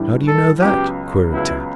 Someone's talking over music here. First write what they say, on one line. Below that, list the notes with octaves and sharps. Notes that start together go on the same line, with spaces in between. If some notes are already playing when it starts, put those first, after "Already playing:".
"How do you know that?" queried Tad.
Already playing: A2 E3 G3 D4
A4
C#2 C#3 F#3 B3 G4
C#2 C#3 F#3 B3 E4